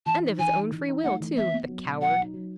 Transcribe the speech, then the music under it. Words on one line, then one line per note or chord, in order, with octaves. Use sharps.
And of his own free will, too, the coward!
E3 A5
D#4
E3 G#5
D#4
E3
D#4
A3 F#5
E3
B3 E5
B3
F#3
B2
F#3 F#5
D#4
F#3